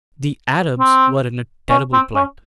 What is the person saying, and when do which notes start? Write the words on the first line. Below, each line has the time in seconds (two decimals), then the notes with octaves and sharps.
The Arabs were in a terrible plight.
0.79 C4
1.70 C#4
1.93 C4
2.15 C#4